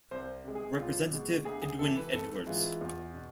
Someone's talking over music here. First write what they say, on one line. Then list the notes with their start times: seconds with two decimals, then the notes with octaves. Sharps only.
Representative Edwin Edwards.
0.11 C2 C5
0.44 C3 G#3
0.55 G#4
0.78 B1 F4
1.12 B2 G#3
1.45 D2 G#4
1.62 G#4
1.79 C3 A4
1.84 E3
1.96 B4
2.13 G#1 A4
2.47 G#2 E3 G#3 F4
2.81 E2
3.14 B2